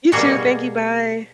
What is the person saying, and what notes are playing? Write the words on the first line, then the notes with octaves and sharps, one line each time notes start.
You, too. Thank you. Bye.
B2 G3 A#3 F#4 G#4